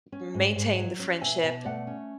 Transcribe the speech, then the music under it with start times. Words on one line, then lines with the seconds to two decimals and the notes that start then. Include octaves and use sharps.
maintain the friendship,
0.12 C#4
0.34 G#2
0.56 G#2
0.77 F#3
0.99 C#4
1.21 B2 E5 G#5
1.43 B2
1.65 A3 D5 F#5
1.87 C#4